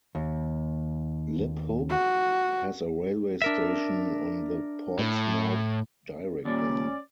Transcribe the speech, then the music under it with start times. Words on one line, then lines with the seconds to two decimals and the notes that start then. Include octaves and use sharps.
Liphook has a railway station, on the Portsmouth Direct Line.
0.15 D#2
1.90 F#4
3.42 D4 A#4 E5
4.99 A2
6.45 D#2 A#2 C#4 D5